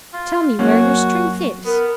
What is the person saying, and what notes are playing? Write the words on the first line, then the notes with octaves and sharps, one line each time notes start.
Tell me where your strength is.
F4
F#2 A#3 C#4 F#4
B3 A#4